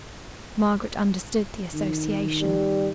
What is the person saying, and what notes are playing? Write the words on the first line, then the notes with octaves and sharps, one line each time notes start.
Margaret understood the association.
D#3
G3